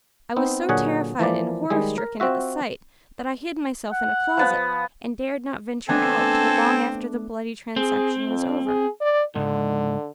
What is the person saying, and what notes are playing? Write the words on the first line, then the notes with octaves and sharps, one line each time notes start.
I was so terrified and horror-stricken at the sight, that I hid myself in a closet, and dared not venture out till long after the bloody transaction was over.
B3 C4 D#4
A#2 D3 F#3 G#4 C#5 F#5
E3 F3 A#3 D5
D#3 G3 G#3 G#4
A#4
C4 F4 F#4 E5
F#5
F3 B3
A3 B3 C4 D4 A4 G#5
C4 G#4
F2
G#4
D5
C#2 G#2 D3